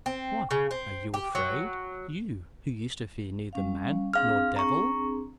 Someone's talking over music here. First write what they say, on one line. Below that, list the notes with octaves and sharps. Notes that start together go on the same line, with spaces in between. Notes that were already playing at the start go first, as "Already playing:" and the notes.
"What! are you afraid,--you who used to fear neither man nor devil?"
C4
C#3
C4
G4
F#3
G3 C#4 F5
C4 D4 G#4 F5 F6
A#5 C#6